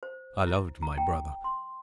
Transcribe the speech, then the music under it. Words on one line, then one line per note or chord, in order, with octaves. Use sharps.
I loved my brother.
C5
E4
A#5
G5
C6